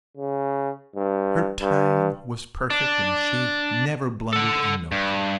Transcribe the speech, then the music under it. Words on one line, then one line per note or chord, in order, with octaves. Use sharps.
Her time was perfect, and she never blundered a note.
C#3
G2
G2
D4
A4 F#5
G2